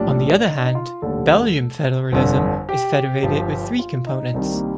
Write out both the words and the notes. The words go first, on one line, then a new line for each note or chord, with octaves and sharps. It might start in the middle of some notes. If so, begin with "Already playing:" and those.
On the other hand, Belgian federalism is federated with three components.
Already playing: A#1 A2 G3 D4
D#4
D4
D#4
F4
F1 D#2 D3 G3 A4
G1 F2 D3
G4
G1 G2 F3
F4
D#4
C2 C3 D#3 G3 D4
A#3